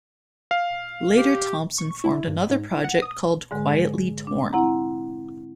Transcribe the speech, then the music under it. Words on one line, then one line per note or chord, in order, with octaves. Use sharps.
Later Thompson formed another project called "Quietly Torn".
F5
G4
C#6
E4
G2
G#2
E4
F#5
D#6
G#2 D3 G#3
D4
C4 E4 F#5 A#5